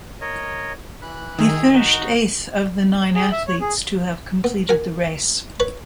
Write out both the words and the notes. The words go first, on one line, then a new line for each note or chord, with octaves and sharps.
He finished eighth of the nine athletes to have completed the race.
A#4 C#5 D#5
E3 B5 F#6
D#3 G#4 E5
D#4 F#4
G#4
E5
C#5
G#4
B3
A#4 F#5 G#5
B4 C#5 B5